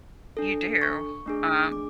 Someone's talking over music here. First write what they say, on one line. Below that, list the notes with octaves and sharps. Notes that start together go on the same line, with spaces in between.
You do, um
D4 A4
C#6
A3 D4 G#4
D6